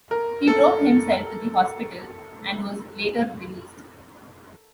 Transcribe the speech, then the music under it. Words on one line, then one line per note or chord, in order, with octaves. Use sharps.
He drove himself to the hospital and was later released.
A#4
A4